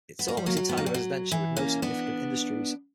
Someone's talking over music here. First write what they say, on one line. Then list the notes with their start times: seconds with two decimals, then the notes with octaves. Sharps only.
It is almost entirely residential, with no significant industries.
0.19 B3
0.28 A#3
0.37 G3
0.46 F#3 A#3
0.57 F#3
0.69 B3
0.77 A#3
0.86 G3
0.94 F#3
1.32 E3
1.57 A#3 C#4
1.82 B3 D4